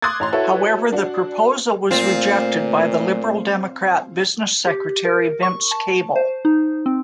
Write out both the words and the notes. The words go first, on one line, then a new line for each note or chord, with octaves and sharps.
However, the proposal was rejected by the Liberal Democrat Business Secretary Vince Cable.
C6 D6 D#6 F#6 G#6 A6
A1 A#5 C6
E4 F#4 A4 B4 C#5 E5
D4 F#4
A#2 A3 C4 F4
G4
A#4
C#6
A5
C5
D#4
C4